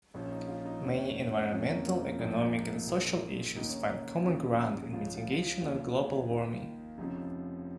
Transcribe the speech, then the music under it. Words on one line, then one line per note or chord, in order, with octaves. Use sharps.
Many environmental, economic, and social issues find common ground in mitigation of global warming.
A#1 A#2 F3 C#4
D#4
F4
D#4
F1 D#2 D#3 C#4
F1 F2 F3 C#4
A#3
C#4
A#3
A#1 G#2 F3 A#3
A#1 A#2 F3
D#2 D#3 D#4
C#4
D#4
D#2 C#3 F3
G#4
C#2 C#3 F3 F4
F4
F4
G#4
D#2 C#3 F3 F4
D#2 D#3
F1 F2 C#3 F3 D#4